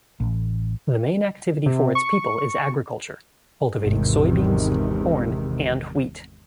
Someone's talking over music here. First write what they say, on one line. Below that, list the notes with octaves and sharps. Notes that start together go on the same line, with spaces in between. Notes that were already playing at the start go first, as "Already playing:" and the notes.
The main activity for its people is agriculture, cultivating soybeans, corn and wheat.
A1
C3
C#6
G#1 E2 C3 D#3